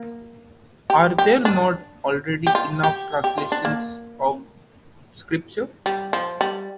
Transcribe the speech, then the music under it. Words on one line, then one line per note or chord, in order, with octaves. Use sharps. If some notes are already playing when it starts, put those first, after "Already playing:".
Are there not already enough translations of Scripture?
Already playing: A#3
G4
G4
D4
G4
F4
G4
G4
F4
D4
A#3
G3
F3
G3